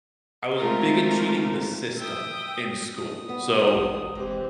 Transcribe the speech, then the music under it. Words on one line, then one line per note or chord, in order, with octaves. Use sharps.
I was big at cheating the system in school. So
G#3 A3 C4 F4 G4 A#4
E5 G5 D#6
D#6
G3 B3
A1
F1 E3 G#3 C4 G4